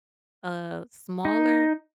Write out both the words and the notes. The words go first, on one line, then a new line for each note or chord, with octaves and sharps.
a smaller
D#4